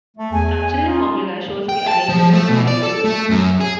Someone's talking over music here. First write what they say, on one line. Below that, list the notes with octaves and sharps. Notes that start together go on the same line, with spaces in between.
The structural formula shows the arrangement of the molecule.
A3
E2 G#5
C#4 D#4 F4
G5
A5
F3
A3
B2
D5
A4
A3
F#2
G#4